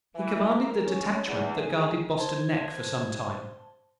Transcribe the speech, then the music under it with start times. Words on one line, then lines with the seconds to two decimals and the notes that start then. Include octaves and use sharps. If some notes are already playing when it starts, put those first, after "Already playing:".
He commanded the detachment that guarded Boston neck, for some time.
0.15 E3
0.53 A#4
0.86 C#4
1.25 E2
1.57 G#4
2.18 C5 A5 G#6